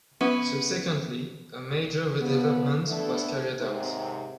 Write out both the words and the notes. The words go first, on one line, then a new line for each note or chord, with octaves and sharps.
Subsequently a major redevelopment was carried out.
B3 C#4 E4
D3 F3 B3
A3 B3 D4 E4 A4
D#2 G#2 C3